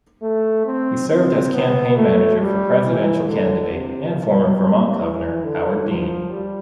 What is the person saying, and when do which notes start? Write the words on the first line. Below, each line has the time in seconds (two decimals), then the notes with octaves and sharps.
He served as campaign manager for presidential candidate and former Vermont governor Howard Dean.
0.23 A3
0.66 C4
1.10 C4
1.54 B3
1.96 A3
2.40 G3
2.84 E3
3.27 D3
3.70 C3
4.14 B2
4.57 C3
5.01 E3
5.44 D3
5.87 F3
6.31 G3